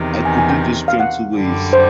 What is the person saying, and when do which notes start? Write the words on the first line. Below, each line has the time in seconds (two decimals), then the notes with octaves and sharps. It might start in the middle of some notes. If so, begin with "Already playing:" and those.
I could do this twenty ways.
Already playing: E2 C3 D#3
0.25 G#5
0.38 G#5
0.50 G5
0.88 F5
1.00 F#5
1.36 F#2 D3 G3
1.73 C5